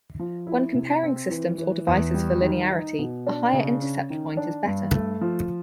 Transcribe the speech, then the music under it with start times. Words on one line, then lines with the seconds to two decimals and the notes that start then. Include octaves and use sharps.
When comparing systems or devices for linearity, a higher intercept point is better.
0.19 F3
0.47 E4
0.74 C3
1.03 C4
1.30 E3
1.58 E3
1.87 E2
2.14 G3
2.42 D#3
2.70 D#4
2.99 B2
3.27 D4
3.53 C#3
3.82 C#4
4.10 D#3
4.37 D4
4.66 G2
4.93 A3
5.21 F3